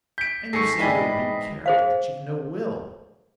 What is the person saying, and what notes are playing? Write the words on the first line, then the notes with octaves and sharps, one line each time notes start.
"And you say you're a weak character, that you've no will."
G6 B6 D7
G#1 G#4 A4 C#6 A#6 C7 C#7
E2 G#2 C4 D5 D#5 G#5 B5 B6
G#4 C5 F5